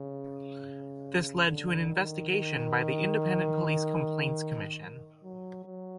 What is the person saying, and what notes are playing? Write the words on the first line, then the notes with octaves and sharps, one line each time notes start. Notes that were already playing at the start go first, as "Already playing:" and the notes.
This led to an investigation by the Independent Police Complaints Commission.
Already playing: C#3
D3
D#3
D#3
F#3
F#3